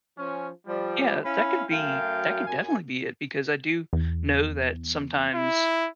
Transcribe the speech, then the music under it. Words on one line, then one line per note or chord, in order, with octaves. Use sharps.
Yeah, that could be that could definitely be it because I do know that sometimes
F3 C#4
F3 G3
C#4 E4 F5 B5
F#2 F#3 A3 F5 G5
F#2 G#5
E2
E4